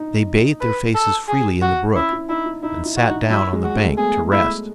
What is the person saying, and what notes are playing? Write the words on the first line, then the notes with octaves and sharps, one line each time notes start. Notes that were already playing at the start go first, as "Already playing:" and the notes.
They bathed their faces freely in the brook, and sat down on the bank to rest.
Already playing: D#4
B4
A4
G#4
F#4
C#4 E4
E4
D#4 E4
E4
D#4 E4
E4
F#4
D#4
F#3 E4
G#3
F#4
A3
B3 G#4
E4